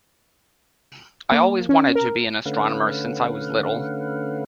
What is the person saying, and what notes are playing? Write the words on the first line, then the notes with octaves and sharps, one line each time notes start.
I always wanted to be an astronomer since I was little.
A#3
C#4
A#4
D3 A3 C#4 B4 F5 F#5